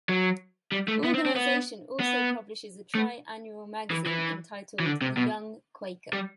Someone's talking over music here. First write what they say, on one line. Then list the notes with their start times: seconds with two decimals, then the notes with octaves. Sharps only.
The organization also publishes a tri-annual magazine entitled The Young Quaker.
0.09 F#3
0.72 G3
0.88 A3
1.04 B3
1.14 C4
1.26 C4
1.36 B3
2.00 B3
2.95 A3
3.91 E3
4.06 E3
4.80 E3
4.86 D3
5.02 C3
5.17 B2
6.13 G3